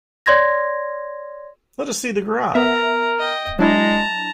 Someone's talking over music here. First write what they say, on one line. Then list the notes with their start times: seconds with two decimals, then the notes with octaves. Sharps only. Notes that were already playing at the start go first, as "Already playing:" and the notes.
Let us see the garage!
0.26 C#5 D5 C6 G#6 A#6
2.55 B3 A#4 E5 A#5
3.19 D#5 G5
3.59 F#3 G#3 D4 E4 A5 A#5